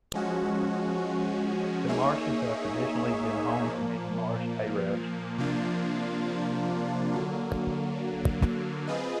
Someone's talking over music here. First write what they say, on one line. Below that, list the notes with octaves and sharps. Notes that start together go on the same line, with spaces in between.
The marshes have traditionally been home to many Marsh Arabs.
F3 G#3 C#4 F#4
A#3 D#4 G#4 C#5 E5
A#2 F3 A#3
C3 F3 A#3 D4 F4
D3 F#3 A#3
C4 F4 G#4 B4 D#5